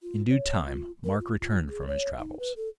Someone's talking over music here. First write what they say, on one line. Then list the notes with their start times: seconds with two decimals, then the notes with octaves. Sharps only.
In due time, Mark returned from his travels.
0.03 F4
0.30 C#5
0.67 F4
1.04 A#4
1.19 F4
1.41 F4
1.69 G#4
1.87 C#5
2.19 D#4
2.39 B4
2.56 A4